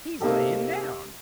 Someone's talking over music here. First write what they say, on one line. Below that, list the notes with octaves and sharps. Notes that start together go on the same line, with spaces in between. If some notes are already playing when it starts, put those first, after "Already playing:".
"He's layin' down!"
C3 A#3 D#4 G4 A4